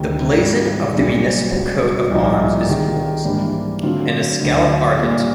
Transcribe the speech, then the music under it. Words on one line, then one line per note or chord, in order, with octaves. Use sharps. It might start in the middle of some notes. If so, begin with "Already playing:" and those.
The blazon of the municipal coat of arms is Gules an Escallop Argent.
Already playing: D2 C3 D#3
G#2 D#3 G3
B1 A#2 G3 B3 D4
C#2 B2 G3
C2 A#2 F3 A#3 D#4
C3 D#3 G#3
G#2 E3 G3 A#3 D4
D3 F#3 A3 C4 F4
D2 D3 F#3
A#2 G3 A#3